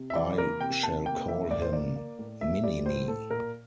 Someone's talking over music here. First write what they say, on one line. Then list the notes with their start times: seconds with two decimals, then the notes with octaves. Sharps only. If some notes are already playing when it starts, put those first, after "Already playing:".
I shall call him... Mini-Me.
Already playing: C3
0.10 E5
0.15 E3 D5
0.38 A#3 A#4
0.60 C3 G5
0.83 C3 A5
1.06 A#3 G5
1.28 E3 E5
1.51 A2 D5
1.62 C5
1.73 A#3 D5
1.96 A#3
2.19 A2
2.41 A#3 E5
2.63 G3 D5
2.86 A2 C5
3.08 A2 A4
3.30 A#2 A#4